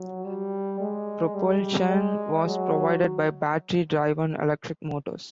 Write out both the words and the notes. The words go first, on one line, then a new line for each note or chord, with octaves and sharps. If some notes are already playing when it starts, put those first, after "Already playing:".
Propulsion was provided by battery-driven electric motors.
Already playing: F#3
G3
G#3
G3
G#3
F#3